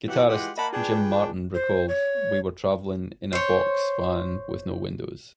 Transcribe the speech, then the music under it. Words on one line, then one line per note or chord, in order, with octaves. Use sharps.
Guitarist Jim Martin recalled We were travelling in a box van with no windows.
E3 F#3 G4 F#5
G#3 F4 G4 F#5
A#3 A#4 D#5 F#5 A5 B5
D4 F4 G#4 B4 G5
D4
C5
C#5
C5 C#5